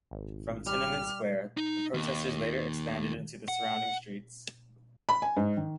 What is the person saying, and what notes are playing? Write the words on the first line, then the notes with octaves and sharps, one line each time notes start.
From Tiananmen Square, the protesters later expanded into the surrounding streets.
G#1
G3 F6
D#4
D#2
F#5
B5
G#5
G#2
D#3